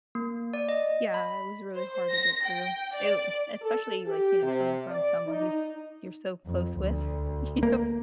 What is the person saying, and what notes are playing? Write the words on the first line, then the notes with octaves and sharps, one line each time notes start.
Yeah, it was really hard to get through. It Especially, like, you know, coming from someone who's you're so close with you
A#3
D5
D#5
B5
C5
A#6
G5
D5
A4
G4
C3
D5
D#4
F2
D2
A#3